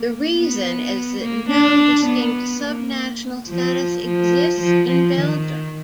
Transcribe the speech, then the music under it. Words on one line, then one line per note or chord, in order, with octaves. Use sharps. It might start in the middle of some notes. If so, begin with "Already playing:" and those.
The reason is that no distinct sub-national status exists in Belgium.
Already playing: A#3
B3
A#3
D4
B3
A#3
F3
F3
F3
F3
D#3